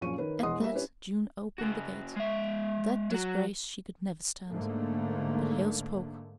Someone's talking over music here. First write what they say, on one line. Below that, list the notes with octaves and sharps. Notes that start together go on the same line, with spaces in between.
At that June opened the gate--that disgrace she could never stand--but Hale spoke.
A#1 F#2 F3 C#4 C#6 D#7
D#3 A#4 B4 C#5
E1 E2 D#5 F#5 C6 D#6
G3 A#4 E5
C#4 D4 E4 G4 B4 C#5
C#3 F#4
G#3 E5
F#3 F#4
G#2 D3 A3 A#3